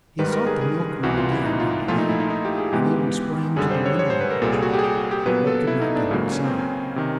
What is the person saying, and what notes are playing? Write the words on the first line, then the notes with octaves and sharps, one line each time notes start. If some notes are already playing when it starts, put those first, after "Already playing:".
He sought the milk-room again and again, and even sprang to the window-ledge, but could not get inside.
G#2 D#3 G3 B4
A#4
G#4
G#4
C2 C3 E3 F#4
F4
E4
D#4
F4
A#2 F3 A3 F4
D#4
E4
D#4
D#4
G4
G#4
G#2 E3 G#3 B3 G4
F#2 D3 G3 G#4
C5
C#5
C#5
C5
B4
A#4
C2 A#2 G3 A4
G#4
F#4
G4
G#4
G4
F#4
G4
A#2 F#3 B3 B4
A4
E4
D#4
D4
C#2 C#3 F#3 A#3
C#4
C4
C#4
C3 D#3